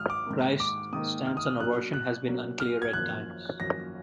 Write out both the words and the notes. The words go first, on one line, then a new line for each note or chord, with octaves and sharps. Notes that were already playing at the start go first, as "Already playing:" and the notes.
Crist's stance on abortion has been unclear at times.
Already playing: G#1 G#2 F#3 D#6 F6
D6
G#2 D#3 A#3
D6
G#2 D#3 A#3 D#6
F6
D#6
F6
B2 F#3 A#3 D4 F#6
F#6
B2 F#3 A#3 D4
F6
G#6
G#1 F#2 F3 A#3 F#6
G#1 F#2 F3 A#3 A#6